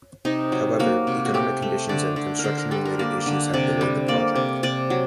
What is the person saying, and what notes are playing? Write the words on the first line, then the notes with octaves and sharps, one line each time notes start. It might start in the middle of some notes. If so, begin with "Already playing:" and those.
However, economic conditions and construction-related issues have delayed the project.
C3 D#4
F#3
A#3 F#4
C3
F#4
A3 G4
A3
D3 D5
D3
A#4
D3 C5
A#4
G3 A4
A#4
A#3 D5
D3
C3 D5
G3
A#3 D5
C3
C3 D5
F#3